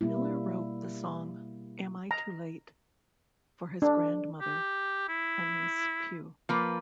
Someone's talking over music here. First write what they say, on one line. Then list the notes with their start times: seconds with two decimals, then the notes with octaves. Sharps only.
Miller wrote the song "Am I Too Late" for his grandmother, Ahnece Pugh.
0.01 B2 G3 A#3 E4
2.11 A#5
3.82 D4
4.41 G4
5.09 E4
6.49 F3 A#3 B4